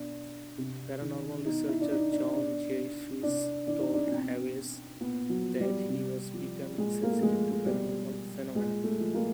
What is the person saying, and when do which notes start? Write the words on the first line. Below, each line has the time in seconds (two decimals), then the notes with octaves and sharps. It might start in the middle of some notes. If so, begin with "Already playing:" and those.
Paranormal researcher John Zaffis told Hawes that he was becoming sensitive to paranormal phenomena.
Already playing: B2 D4
0.58 C3
1.02 D#3
1.46 B2 D#4
1.68 E4
1.81 D4
1.91 D#4
2.12 D4
2.35 B2 D4
3.23 C3 D4
3.67 E3 D4
3.80 D#4
3.94 D4
4.07 C#4
4.12 B2 C4
5.00 A#2 B3
5.29 F#3
5.44 F3
5.60 G3
5.88 C3
6.34 F3
6.77 A#2 G#3
7.03 A#3
7.12 A3
7.22 F3 G#3
7.66 B2 G3
8.54 A#2 G#3
8.84 A3
9.00 F3
9.15 A#3